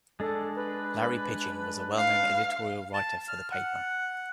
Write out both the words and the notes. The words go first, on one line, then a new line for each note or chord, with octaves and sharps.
Larry Pidgeon was a well-known editorial writer for the paper.
G#3 D4 A4
B4
F5
A5
F6
F#5